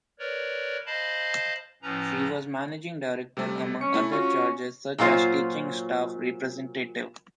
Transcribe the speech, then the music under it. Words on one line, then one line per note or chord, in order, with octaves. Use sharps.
She was managing director, among other charges, such as teaching staff representative.
A#4 B4 C#5 D5
C5 D#5 F5 A5 B5
A2 F3 C#4 B4 A#5
C3 G3 A3
C#4 C#7
A3 E4
C#4 F4 F#4
A#2 F#3 F4 C5 C#5